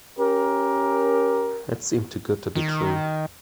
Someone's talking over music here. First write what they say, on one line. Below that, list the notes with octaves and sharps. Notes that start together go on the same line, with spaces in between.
It seemed too good to be true.
C#4 G4 A#4
D#3